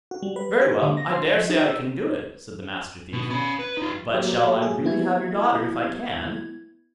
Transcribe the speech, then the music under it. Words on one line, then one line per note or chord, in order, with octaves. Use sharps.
'Very well, I daresay I can do it', said the Master Thief; 'but shall I really have your daughter if I can?'
F#4
G3
B4
G4
D3
A#6
C6
F3
D#4
E6
B2
C#4 B5
B4
D#4 F4
F#3 A#3 G4
G#4
B3 E4 G#6